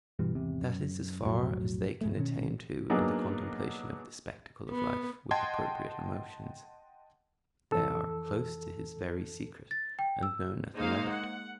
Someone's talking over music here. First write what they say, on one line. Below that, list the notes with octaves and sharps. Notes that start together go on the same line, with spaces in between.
That is as far as they can attain to in 'the contemplation of the spectacle of life with appropriate emotions.' They are close to his very secret and know nothing of it.
G2 B2 E3 G3
G#1 E2 C3
F#2
B1 F2 A2 F#3
G#2 G#3 A3
B2 D#3 C#4
F#3 A#3 B3 D4 D#4 G#4
B3
D#5 F#5 G5 A5 C6 G#6
F2 E3 A4 E6
A6
G5
E6
G#3 A#3 D#4 C5 F5
F#5